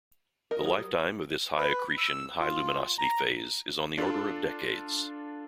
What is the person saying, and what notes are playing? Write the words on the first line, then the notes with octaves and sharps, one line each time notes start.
The lifetime of this high-accretion, high-luminosity phase is on the order of decades.
A#4 D#5
F#3 G3 D#6
B4
E6
F4
A#5
D4 F4 A4